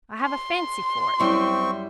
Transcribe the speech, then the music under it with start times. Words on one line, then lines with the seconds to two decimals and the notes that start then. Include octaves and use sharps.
I have a fancy for it.
0.22 C6
1.20 F#2 G3 C4 E4 C#6